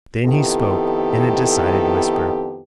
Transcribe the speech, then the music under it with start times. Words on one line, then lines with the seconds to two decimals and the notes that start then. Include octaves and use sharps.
Then he spoke in a decided whisper.
0.25 F2 D#3 B3 E4 G4 A4